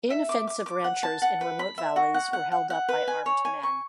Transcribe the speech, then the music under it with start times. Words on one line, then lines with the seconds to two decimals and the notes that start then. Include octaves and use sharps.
Inoffensive ranchers in remote valleys were held up by armed men.
0.10 E5
0.29 D6
0.47 D6
0.66 D6
0.84 F#5
1.03 A5
1.22 F#5
1.41 B4
1.59 B5
1.78 E5
1.96 F#4
2.14 F#5
2.33 F#5
2.52 F#5
2.70 F#5
2.88 B4
3.08 G#5
3.26 C#5
3.45 G#5
3.63 C#6